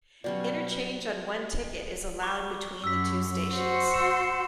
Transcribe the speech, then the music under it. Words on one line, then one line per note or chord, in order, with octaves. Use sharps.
Interchange on one ticket is allowed between the two stations.
B2 F#3 G3 C#4 D5
C#6 D6
F#2 E6 B6
F#4 C5
E6 C#7 E7